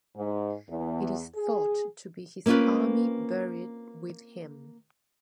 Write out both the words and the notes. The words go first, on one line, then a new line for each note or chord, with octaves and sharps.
It is thought to be his army buried with him.
G#2
E2
G#4
A#3 C4 C#4 F4 B4